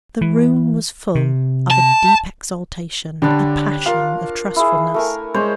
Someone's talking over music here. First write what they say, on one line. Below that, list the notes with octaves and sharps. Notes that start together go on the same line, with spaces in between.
The room was full of a deep exaltation, a passion of trustfulness.
E3
C3
A5
D3 G3 D4 C#5
F4 A#4 F5
E4 G#4
A3 A#4 G#5
G#3 C5 C#5